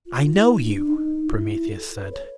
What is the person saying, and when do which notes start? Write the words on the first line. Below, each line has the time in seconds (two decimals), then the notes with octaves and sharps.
"I know you," Prometheus said.
0.06 F4
0.33 E4
0.60 D4
0.88 D#4
1.29 F4
1.32 E4
1.69 A4
1.96 B4
2.12 C#5